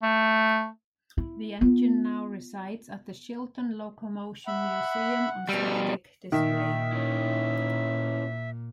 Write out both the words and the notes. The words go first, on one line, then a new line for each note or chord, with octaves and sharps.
The engine now resides at the Shildon Locomotion Museum on static display.
A3
E4
B3 F4
E5 F#5 B5
B2 G3 E6 F6
A#2 D#3 E5
C#4 E4